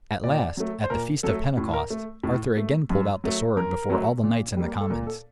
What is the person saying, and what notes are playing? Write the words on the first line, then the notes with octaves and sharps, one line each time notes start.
At last, at the feast of Pentecost, Arthur again pulled out the sword before all the knights and the commons.
A#2 D5
F#3 A3
C5
A#2 A#4
F#3 A3 A4
A2
A#4
A3
A2
A3
F#2
F#3 A3
F#2 A#4
F#3 A3
A#2
G3 A#3
A4
A#2 A#4
A4